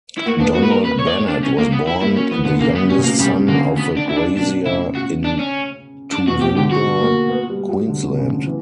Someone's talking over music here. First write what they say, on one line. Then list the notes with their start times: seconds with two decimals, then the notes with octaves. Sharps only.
Donald Bennett was born the youngest son of a grazier in Toowoomba, Queensland.
0.17 E4
0.26 A#3 F#4
0.40 B3 D4
0.54 A#3 F#4
0.63 B4
0.69 B3 A#4
0.85 B4
0.99 C#5
1.07 D5
1.14 C#5
1.28 D4
1.43 C#4
1.58 A#3
1.72 B3
1.87 E4
2.02 A#3 E4
2.16 F#3 C#4
2.31 E3 B3
2.45 D3 B3
2.60 C#3 A#3
2.75 B3
2.89 B2 C#4
2.98 C#3
3.04 B2 A#3
3.19 C#3 G3
3.48 D3 A#3
3.78 B3
3.97 D4
4.09 E4
4.16 D4
4.37 B2 D4
4.66 C#3 E4
4.95 C#3 F#4
5.24 D4
5.39 C#4
6.12 D4
6.27 B2 F#4
6.41 B2 G4
6.56 D3 G4
6.71 F#3 F#4
7.00 A#3
7.29 B3
7.49 G3
7.68 F#3
7.88 D3
8.03 B2
8.18 C#3
8.32 D3
8.46 E3